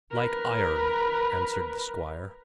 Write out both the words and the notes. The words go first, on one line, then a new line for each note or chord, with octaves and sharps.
"Like iron," answered the squire.
A#4 B4